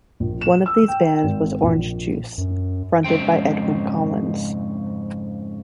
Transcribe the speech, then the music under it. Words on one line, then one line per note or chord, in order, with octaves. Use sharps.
One of these bands was Orange Juice, fronted by Edwyn Collins.
A#1
E7
E6
G5
G#1
A#1
F#2
F2 G#2 C#3 C5 G5